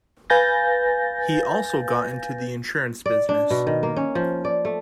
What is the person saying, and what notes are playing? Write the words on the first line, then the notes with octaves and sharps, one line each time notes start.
He also got into the insurance business.
B4 F5 G#5 G6 A6 A#6
D5
D4
B2
D#3
A#3
C#4
F3
D5
A3